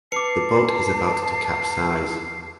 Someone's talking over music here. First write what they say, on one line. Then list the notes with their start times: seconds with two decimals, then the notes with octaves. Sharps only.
The boat is about to capsize.
0.12 B4 A5 D6 C7 C#7